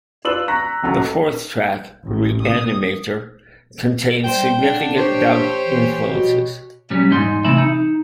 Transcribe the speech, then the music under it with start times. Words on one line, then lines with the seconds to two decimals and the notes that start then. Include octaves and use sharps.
The fourth track, "Reanimator", contains significant dub influences.
0.25 F4 B4 D5 E6 F#7
0.48 A#5 C#6 F#6 A#6 B6
0.82 D#1 C#2 F#2 F#3 A4 A#5
2.04 A1
2.44 D#6
4.24 G3 C5 G5
4.60 D3 D4
4.97 D4 G4 C5 C#5
5.67 E3
6.09 B2
6.90 A#2 F#3 G3 C#4
7.11 E2 G#2 D#4 C6
7.45 A2 C3 E3 E5 B5
7.58 D#4